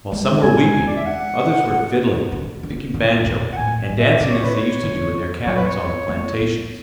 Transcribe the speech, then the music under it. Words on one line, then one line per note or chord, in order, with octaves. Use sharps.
While some were weeping, others were fiddling, picking banjo, and dancing as they used to do in their cabins on the plantations.
G#3
G#3 G#5
D5
E5
F#5
D3
D3
D3
B2
F#5
A2 G#5
A2
E5
C#3 D5
C#5
B4
C#5
D3
F#3 C#5
B4
C#5
A3
B3